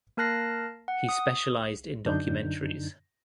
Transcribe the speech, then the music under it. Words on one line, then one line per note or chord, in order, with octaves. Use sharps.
He specialized in documentaries.
A#3 A#4 A5 F#6 A#6 C7
F#5
D#6
F#2 D3 D4 D#4 G6